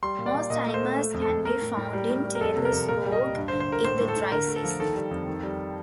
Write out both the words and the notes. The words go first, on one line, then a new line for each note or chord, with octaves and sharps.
Most animals can be found in Taylor Slough in the dry season.
G3 C6
A#2
D5
A#2
A#2 D#5
A3
C5
A3
A3
F2
A4
F2
A3 A#4
A2
A2
G3
A2
G3
A#4
F2 A4
C3
A#4
F2
A#2 A#4
G3
D#5
G3
G2
C5
D3
C5
G2 A#4
A2 C5
A2
A4
A2
D3 A#4
A3
A4
F3
D#3 A4
G3
F2
D#3
G3